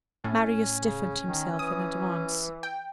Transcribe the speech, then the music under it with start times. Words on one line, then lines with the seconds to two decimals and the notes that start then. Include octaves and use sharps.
Marius stiffened himself in advance.
0.24 A2 C#4
0.76 C#3
1.23 D#3
1.59 E3 D#6
2.63 G5